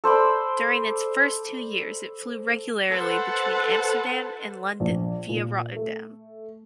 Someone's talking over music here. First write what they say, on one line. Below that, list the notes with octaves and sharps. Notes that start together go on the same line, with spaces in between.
During its first two years it flew regularly between Amsterdam and London via Rotterdam.
A4 C5 D5 B5
A4 B4 C5 F#5 A5
A#1
A#2
A3